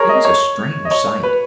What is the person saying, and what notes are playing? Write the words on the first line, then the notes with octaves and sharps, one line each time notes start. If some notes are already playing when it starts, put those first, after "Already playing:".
It was a strange sight.
Already playing: G#4 A#4 C#5
D#5
C#5
D#5
C#5
B4